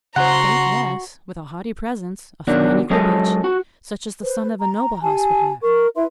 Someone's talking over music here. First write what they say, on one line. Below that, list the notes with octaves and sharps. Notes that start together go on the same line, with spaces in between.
"Faith, yes, with a haughty presence, a fine equipage; such as the son of a noble house would have."
C#3 F#4 C5 F#5 A#5 C6
B2 D#3 F#3 D4 F#4
F#3 G#3 C#4 G#4 A4 D#5
F#4
B4 C5
A#5
G4 G#5 A5
A#4 C#6
E4 B4 E5 C6